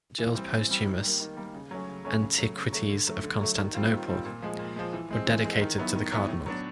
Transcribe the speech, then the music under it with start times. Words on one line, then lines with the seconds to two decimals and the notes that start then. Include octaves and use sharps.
Gilles' posthumous "Antiquities of Constantinople" were dedicated to the Cardinal.
0.18 E3
0.35 G3 C4
0.52 E3
0.69 G3 C4
0.86 D#3
1.03 G3 A#3
1.20 D#3
1.37 G3 A#3
1.54 C#3
1.71 F#3 A3 C#4
1.88 C#3
2.05 F#3 A3 C#4
2.22 C#3
2.38 F#3 A3
2.55 C#3
2.73 F#3 A3
2.89 D3
3.07 F#3 A3
3.23 D3
3.41 F#3 A3
3.57 D#3
3.75 G3 C4 F4
3.92 D#3
4.08 G3 C4 F4
4.25 A#2
4.42 F3 G#3
4.59 A#2
4.76 F3 G#3
4.93 E3
5.11 G#3 C4
5.27 E3
5.44 G#3 C4
5.61 D#3
5.78 F#3 B3 E4
5.95 D#3
6.12 F#3 B3 E4
6.29 A2
6.46 F#3 B3 D4